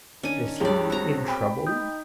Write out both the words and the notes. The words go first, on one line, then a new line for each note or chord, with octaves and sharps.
Is he in trouble?
D#3 C#4 D4 G#5
C#2 G2 G3 G#4 C#5 D5
C4 F#4 A#5
G5 B5
D#4 D#6 G6